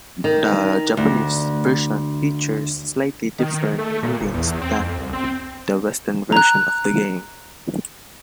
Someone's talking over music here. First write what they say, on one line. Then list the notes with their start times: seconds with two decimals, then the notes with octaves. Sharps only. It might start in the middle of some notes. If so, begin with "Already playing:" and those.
The Japanese version features slightly different endings than the western version of the game.
0.24 D#3
0.97 D2
3.39 D#3
3.79 A3
4.03 A#2
4.21 G1
4.34 E2
4.62 C4
4.80 F2
4.98 C2
5.13 C4
6.32 A#5 F#6